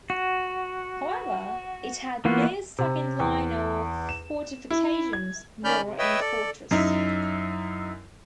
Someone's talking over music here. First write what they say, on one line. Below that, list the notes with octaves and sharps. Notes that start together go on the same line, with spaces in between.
However, it had no second line of fortifications, nor any fortress.
F#4
E3 A#3 B3 F4 F#4
C3
E2
E7
E4
G#6
D#3 C#4 D5 B5 F6 G6
C3
B4 C#5 D#5 E5 G5 E6
A4 D5
F#2 D#4 E4